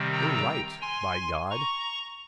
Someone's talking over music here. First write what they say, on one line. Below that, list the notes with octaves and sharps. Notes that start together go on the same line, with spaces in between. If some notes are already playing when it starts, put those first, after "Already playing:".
You're right, by God.
Already playing: C3 D#3 G3 C4
G5 A#5
G#5 C6
A#5 C#6